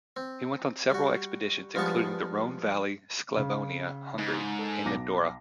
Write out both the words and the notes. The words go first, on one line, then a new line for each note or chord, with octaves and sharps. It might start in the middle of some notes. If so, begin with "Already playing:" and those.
He went on several expeditions including the Rhone Valley, Sclavonia, Hungary and Andorra.
C4
G3 F#4
G2 F3 G#3 B3 A5 C#6
C#3
G#2
A4
B1 D6 A#6